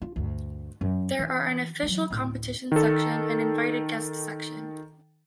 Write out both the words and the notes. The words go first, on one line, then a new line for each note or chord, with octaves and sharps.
There are an official competition section and invited guest section.
F4
D2 G2
F#2
E3
E3 F#3
D2 A2
D#3 A4